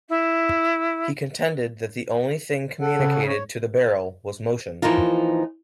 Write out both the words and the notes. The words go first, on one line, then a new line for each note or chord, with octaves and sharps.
He contended that the only thing communicated to the barrel was motion.
E4
A4 F#5
C#3
C#5
E3 F3 A#3 D#4 F4